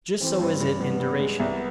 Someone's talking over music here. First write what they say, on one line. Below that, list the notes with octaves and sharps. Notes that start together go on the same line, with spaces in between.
Just so is it in duration.
E3 C4
G2
G2
G2 B3
G2
G#3
C2 B3